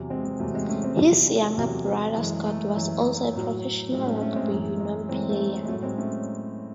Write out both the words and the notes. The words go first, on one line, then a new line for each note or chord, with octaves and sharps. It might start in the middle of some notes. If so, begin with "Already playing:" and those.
His younger brother Scott was also a professional Rugby Union player.
Already playing: E2 C3 F#3
G#3 C4
G#3
E2 C3 F#3 A3
G#3 C4
A3 C#4
G#3 C4
E2 C3 F#3
E2 C3 F#3
F#2 E3 G#3
A3
F#2 E3
A2 F#3
A2 F#3 G#3 C4
A3 C#4
A3 C#4
G#3 C4
F#2 E3 A3
G#3
F#2 E3 G#3 C4
A3
G#3
A2 F#3 A3
G#3 C4
A3 C#4